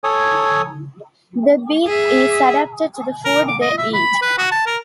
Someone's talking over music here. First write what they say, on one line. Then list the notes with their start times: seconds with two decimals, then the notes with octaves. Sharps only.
The beak is adapted to the food they eat.
0.04 A4 C#5 G#5 D#6
1.87 G#4 E5
3.25 A#4
3.48 D6
3.61 D#5
3.78 E5
3.94 B5
4.22 B4
4.38 F#4
4.51 A5
4.66 A#4